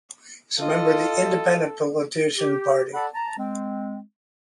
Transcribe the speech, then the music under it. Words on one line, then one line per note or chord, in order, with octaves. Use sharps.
He is member of the Independent politician party.
F4 A4 D#5
G4
A4 D5 F#5 A5 B5
A5 A#5
G#3 C4